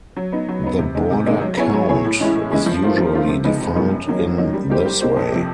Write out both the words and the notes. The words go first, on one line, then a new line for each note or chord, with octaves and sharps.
The Borda count is usually defined in this way.
F#3
B3 D#4
F#3
B3 D#4
C3
D#3 G#3
C3
D#3 G#3
F#3
B3 E4 G#4 C#5
F#3
B3 E4 G#4 C#5
A2
E3 G#3 C#4 E4
A2
E3 G#3 C#4 E4
F3
A3 C4 F4 A#4
F3
A3 C4 F4 A#4
C3
F3 G#3 B3 D#4
C3
F3 G#3 B3 D#4
F#2
D#3 F#3 A#3 D#4
F#2
D#3 F#3 A#3 D#4
G3
A#3 D#4 G4 C5
G3
A#3 D#4 G4 C5
F2
C3 F3